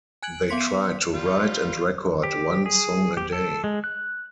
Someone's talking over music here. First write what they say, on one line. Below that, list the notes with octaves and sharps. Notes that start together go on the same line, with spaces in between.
They tried to write and record one song a day.
G#5 F#6 G#6 D7 F#7
B3 F5 C6 B6 C#7
G3 F4
G4
G#4
G4
A4
G#3
F#6